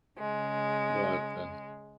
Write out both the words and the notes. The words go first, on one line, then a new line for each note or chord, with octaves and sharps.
but, uh
C#3 G#3